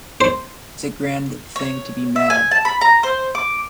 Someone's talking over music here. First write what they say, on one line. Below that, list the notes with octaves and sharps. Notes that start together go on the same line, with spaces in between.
It’s a grand thing to be mad!
C5
C#5
E5
G#5
A5
B5
A#5
C5
D6